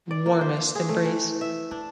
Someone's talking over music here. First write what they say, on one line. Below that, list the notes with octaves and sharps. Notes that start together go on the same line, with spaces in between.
Warmest embrace.
D5
A#3
C5
G#4
A3
E3
E5
D4